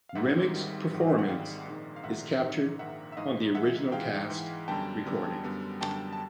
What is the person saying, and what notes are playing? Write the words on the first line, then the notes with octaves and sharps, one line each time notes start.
Remick's performance is captured on the original cast recording.
F5
G#1 G#2 D#3 G3 E5 F#5
G#1 G#2 D#3 G3
G#1 G#2 D#3 G3
F#5
G#1 G#2 D#3 G3 F5 G5
A#1 G#2 D#3
F5
A#1 G#2 D#3 E5 F#5
A#1 G#2 D#3
A#1 G#2 D#3 E5 F#5
E5
G#2 E3 G#3 D#5 F5
G#2 E3 G#3 E5 F#5
G#2 E3 G#3 F5 G5
G#2 E3 G#3
F#2 D3 G3 B3 G5 A5
F#2 D3 G3 B3
F#2 D3 G3 B3
F#2 D3 G3 B3 G5 A5
A5